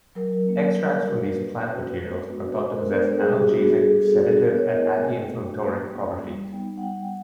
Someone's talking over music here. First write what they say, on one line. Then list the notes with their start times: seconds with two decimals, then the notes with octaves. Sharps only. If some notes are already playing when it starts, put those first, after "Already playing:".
Extracts from these plant materials are thought to possess analgesic, sedative, and anti-inflammatory properties.
0.15 F#3 A#4
0.45 A#3 C#4
0.76 G3
1.07 A#3 D4 F#4
1.36 A#3 B4
1.67 C#4 F#4 B4
1.98 G#3
2.28 B3 D4 F#4
2.54 B4
2.59 G#3 C5
2.73 A4
2.79 A#4
2.89 B3 D4
3.19 G3 G#4
3.35 G4
3.49 B3 D4 F#4
3.64 G4
3.76 G#4
3.79 G3 A4
4.11 B3 D4 F#4
4.40 B3 A#4
4.55 C#5
4.71 E4 D#5
4.85 G#5
5.00 A3 G5
5.31 D4 F#4
5.62 A#3
5.92 C#4 F4
6.22 G3
6.52 B3 D#4 G5
6.78 F#5
6.82 G3 G5